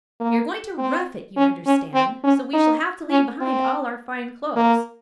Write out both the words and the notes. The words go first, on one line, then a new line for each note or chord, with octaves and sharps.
We are going to rough it, you understand, so we shall have to leave behind all our fine clothes.
A#3
C4
C#4
C#4
C4
C#4
D#4
C#4
C4
A#3